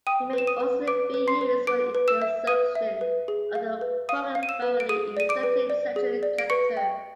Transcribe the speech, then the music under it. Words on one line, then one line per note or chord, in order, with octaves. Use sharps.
It may also be used for the insertion of a peripherally inserted central catheter.
G5 D#6 D#7
B4 E7
D#6 D#7
B4
B4 D6 D7
B4
C6 C7
B4
B4 D6 D7
B4
E6 E7
E5
B4 D#6 D#7
E5
B4
G#4
F5
B4
F5 D#6 D#7
F5
D#7
E6 E7
B4
D7
G#4 D#6 D#7
D5 D#7
D6 D7
B4
D5
G#4
D5
D7
B4 C#6 C#7
G5